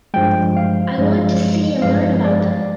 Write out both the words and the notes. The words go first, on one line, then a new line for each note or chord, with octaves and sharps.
I want to see and learn about them.
G2 F3 G#3 G5
F5
G2 F3 G#3
G2 F3 G#3 F5
D5